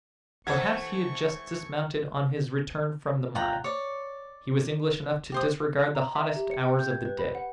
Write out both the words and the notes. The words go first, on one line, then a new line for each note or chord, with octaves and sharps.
Perhaps he had just dismounted on his return from the mine; he was English enough to disregard the hottest hours of the day.
E3 A3 A4 C5 F#5 C#6 G#6
F4 F#5 G5 A#5
C#5 D5
G4 C5 D#6
A#5
E5
G4
C#7
G5
G6
G#6
B4
B5
F#5